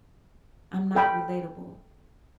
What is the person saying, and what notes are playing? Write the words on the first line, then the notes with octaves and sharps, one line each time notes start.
I'm not relatable.
A4 G5 B5